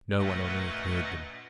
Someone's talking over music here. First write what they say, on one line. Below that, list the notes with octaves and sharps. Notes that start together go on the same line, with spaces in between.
No one on earth heard them.
F#2 A#2 A3 B4 D#5 F#5